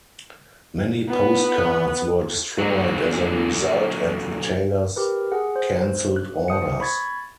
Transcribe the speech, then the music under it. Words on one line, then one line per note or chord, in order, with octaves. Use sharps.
Many postcards were destroyed as a result and retailers cancelled orders.
B3
A#2 D3 F#3
G4 A#4 B4
G#4 F#5
C5
F#6
C5 D#6 C#7
B5 C#6 G#6 A6